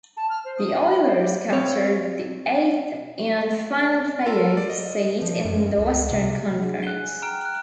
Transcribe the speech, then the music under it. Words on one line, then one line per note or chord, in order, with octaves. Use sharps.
The Oilers captured the eighth and final playoff seed in the Western Conference.
A5
F6
C5
D#6
G#5
B5
C5
G4
C4 C#5 F5
F4 A4 A#4
D5
D#5
F3
F#2
C#2
C3
D4 G#4 F#5
F#6 G7
G#5
G5 A#5 F6 D7
F#6